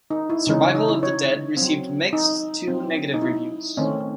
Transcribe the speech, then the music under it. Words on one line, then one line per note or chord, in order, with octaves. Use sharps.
"Survival of the Dead" received mixed to negative reviews.
D#4
E4
C#3 E3 G#3 C#4 D#4
C#4
D#4
E4
C#5
F#3 C4
D#4
F#3 C4
D#4
E4
D#3 A3 C4 C#4